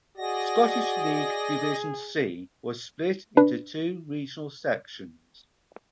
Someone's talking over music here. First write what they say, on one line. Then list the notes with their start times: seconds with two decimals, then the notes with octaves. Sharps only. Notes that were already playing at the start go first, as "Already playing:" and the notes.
Scottish League Division "C" was split into two regional sections.
0.17 F#4 G#4 D5 D#5 A#6
3.37 D4 B4